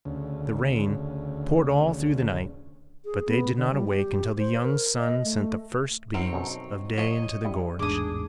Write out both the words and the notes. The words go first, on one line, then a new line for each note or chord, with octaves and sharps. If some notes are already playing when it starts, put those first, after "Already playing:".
The rain poured all through the night, but they did not awake until the young sun sent the first beams of day into the gorge.
D2 C#3
G#4
B3
D3
G3
G4
C5
A#4
D#5
A3
F#2 C4 D#4 C#5
B1 F#2
F3 C#5 D#5
G3 E4
A1 E2 G#2 D4 G#4 D6 D#6